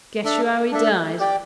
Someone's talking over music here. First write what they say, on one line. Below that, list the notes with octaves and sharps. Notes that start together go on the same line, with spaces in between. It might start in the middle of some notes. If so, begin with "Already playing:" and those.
Guess yo' how he died?'
D4 A4 E5
D4 A4 E5
G4 D5 G5